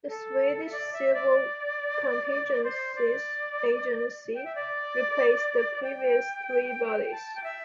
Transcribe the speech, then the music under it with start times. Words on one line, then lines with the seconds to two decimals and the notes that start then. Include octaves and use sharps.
The Swedish Civil Contingencies Agency replaced the previous three bodies.
0.08 A4
0.64 E5
0.72 D5
0.93 E5
1.14 D5
2.64 C5
2.95 D5
4.35 G5
4.45 E5
4.55 D5
5.83 G5
7.12 A5
7.35 G5
7.44 E5